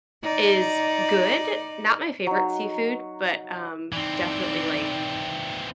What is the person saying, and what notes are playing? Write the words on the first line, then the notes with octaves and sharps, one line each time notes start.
is good, not my favorite seafood but, um, definitely like
D#4 D5
F#3 D#4
E3 C4 D#4 D5